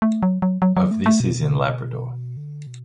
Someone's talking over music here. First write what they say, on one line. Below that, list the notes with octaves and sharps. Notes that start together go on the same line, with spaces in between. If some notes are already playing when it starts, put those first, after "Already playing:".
Of this is in Labrador.
A3
F#3
F#3
F#3
F#3
A3
A3
B2
D3
B2